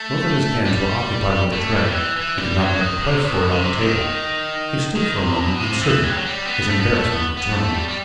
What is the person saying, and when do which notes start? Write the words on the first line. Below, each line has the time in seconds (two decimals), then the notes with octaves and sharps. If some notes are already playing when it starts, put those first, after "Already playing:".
Both of his hands were occupied with the tray; he could not make a place for it on the table. He stood for a moment uncertain, his embarrassment returning.
Already playing: A3
0.65 G3
1.52 A3
1.73 G3
1.89 F#3
1.94 E3
2.16 E3
2.38 G3
2.60 F#3
2.81 D#3
3.02 C3
3.24 B2
3.52 C3
3.81 D#3
4.95 D#3
5.17 C3
5.39 B2
5.60 C3
5.81 E3
6.03 F#3
6.10 G3
6.17 F#3
6.25 G3
6.46 B3
6.67 A3
6.80 B3
6.93 A3
7.10 B3
7.37 B3
7.53 A3
7.75 G3
7.88 G3